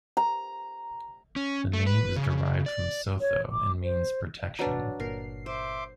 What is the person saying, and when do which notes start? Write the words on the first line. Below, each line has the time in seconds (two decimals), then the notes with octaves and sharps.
The name is derived from Sotho and means 'protection'.
0.17 A#5
1.36 C#4
1.73 A3
1.87 B4
2.16 C#3
2.66 D5
3.20 C#5
3.52 D6
3.83 C5
4.59 F#3 D4 B4 C#5 A#5
5.00 G1 A#2 A#4 C7
5.46 C5 E5 C6 D6